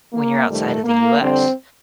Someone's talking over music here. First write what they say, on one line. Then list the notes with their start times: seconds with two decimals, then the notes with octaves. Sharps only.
when you're outside of the US.
0.13 A#3
0.48 F2 C3 D#3 G3 A3
0.84 A#3
1.20 F2 D3 G3 C4